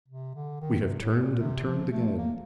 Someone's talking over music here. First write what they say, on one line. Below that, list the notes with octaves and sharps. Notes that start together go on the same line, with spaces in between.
"We have turned and turned again."
C3
D3
D#3
C3
A2
A#2
C3
F3
A3
A#3